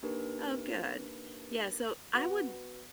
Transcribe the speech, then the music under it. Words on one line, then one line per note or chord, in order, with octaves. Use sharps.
Oh, good. Yeah, so I would
A#3 D4 D#4 G4 A#4 B4
B3 F#4 B4 F#5